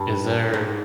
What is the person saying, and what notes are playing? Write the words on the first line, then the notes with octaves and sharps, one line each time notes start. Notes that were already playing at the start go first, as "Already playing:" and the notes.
is there
Already playing: G2
G#2